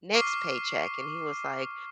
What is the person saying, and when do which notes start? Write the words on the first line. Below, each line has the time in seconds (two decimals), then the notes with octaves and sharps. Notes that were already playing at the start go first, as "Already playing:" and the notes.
next paycheck.” And he was like,
0.14 C#6 D6 F6 C7